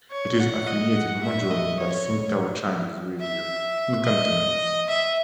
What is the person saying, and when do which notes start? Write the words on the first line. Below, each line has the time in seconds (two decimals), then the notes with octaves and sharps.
It is affiliated, majorly, by Sing Tao Chinese Radio in Cantonese.
0.11 C#5
0.39 F#5
0.67 D#5
0.95 F#5
1.23 E5
1.51 D#5
1.80 C#5
3.20 E5
4.04 D#5
4.88 E5